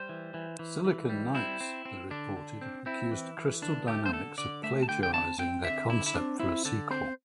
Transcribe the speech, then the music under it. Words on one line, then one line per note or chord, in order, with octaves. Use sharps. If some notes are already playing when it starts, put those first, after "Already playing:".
Silicon Knights, they reported, accused Crystal Dynamics of plagiarizing their concept for a sequel.
Already playing: G3 C5
E3
E3
E3
E3
G3
C4 E4
C4
C4
D3 D4
D3
C4
C4 E4
E3
E3
D3 D4
A3 G4
C5
D3 A4
D3 D5
A3 E5
A5
D3 G5
G5
C4 A5
C4 G5
D3 E5
D3 E4
E4
C4 D4
C4 E4
D3 A4
C4 C5